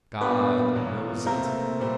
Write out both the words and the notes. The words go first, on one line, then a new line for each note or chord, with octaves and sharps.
God knows it.
A#2 G3 A#3 B3 D4 B4
E2 B2 F#3 A#3
C3 F3 A3 A#3 C4 A#4
A#2 G3 C4